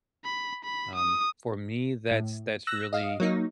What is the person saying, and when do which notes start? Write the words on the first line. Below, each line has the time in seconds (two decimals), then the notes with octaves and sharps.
um, for me, that's that's really
0.25 B5
0.65 B5
0.95 D#6
2.11 A2
2.67 E6 F#6 A#6
2.93 D#5 F5
3.20 F#3 A#3 D#4